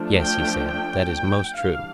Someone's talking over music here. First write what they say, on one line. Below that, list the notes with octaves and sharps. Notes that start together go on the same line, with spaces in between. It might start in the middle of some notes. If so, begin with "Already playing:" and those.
Yes, he said, that is most true.
Already playing: F3 A3 D4
G5
G5
E3 G3 D4 F5